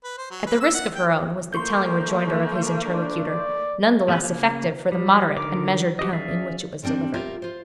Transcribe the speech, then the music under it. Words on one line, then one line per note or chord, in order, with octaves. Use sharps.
At the risk of her own, was the telling rejoinder of his interlocutor, none the less effective for the moderate and measured tone in which it was delivered.
B4
C5
F#3
B4
E6
F#5
G5
A3 A#3 C6 C#6 G6
D4
D5
G3 A3 C4 C#4 B4
C#3 A#3
G3
D3 D#3 A#4 D6
F#4 G4 D#5
C#4 G#4 D5 E5 F5
F3 G3 C4 D4
G3 F4 G4 A#4 E5
F4 C5